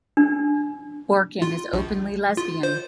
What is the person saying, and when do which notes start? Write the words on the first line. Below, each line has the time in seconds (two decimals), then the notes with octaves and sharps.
Orkin is openly lesbian.
0.17 D4
1.42 F4
1.73 A#1
2.37 F4
2.63 C5